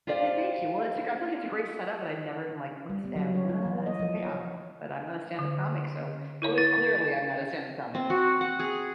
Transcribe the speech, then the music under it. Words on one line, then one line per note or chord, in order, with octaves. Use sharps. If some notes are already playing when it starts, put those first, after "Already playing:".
Eh, thank you. Well, it's lik I feel like it's a great setup, but I never like, what's and what's the payoff? But I'm not a stand-up comic, so cle clearly I'm not a stand-up comic.
F4 G4 C5 D5 E5 F5
G3
B3
F#3
C#5
F4
E3
D#5
F3
C#5
D3
E4 A#4 C#5
E4 A6
C4
F#4
F#5
G#4